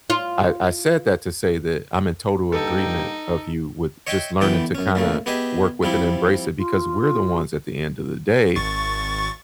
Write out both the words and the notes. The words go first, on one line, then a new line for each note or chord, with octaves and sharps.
I I said that to say that I'm in total agreement of you with just learning to kinda work with and embrace it because we're the ones at the end of the day
F4
G2 A#3 D#4 A4 G5
C#5 D#5 E5 G5
D3 E3 B3 G5
F#2 C#4
A#2 C#3 A3
B3 G4 G#4 D#5 E5
F3 G3 C4 E4
F4
G#1 C#6 A6